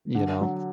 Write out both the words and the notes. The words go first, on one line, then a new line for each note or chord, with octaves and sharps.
you know?
D3
F#3